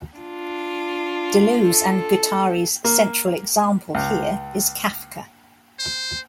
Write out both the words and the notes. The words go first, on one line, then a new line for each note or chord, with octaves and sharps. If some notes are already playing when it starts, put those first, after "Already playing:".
Deleuze and Guattari's central example here is Kafka.
D4 F4
A4
A#3
C#2
C5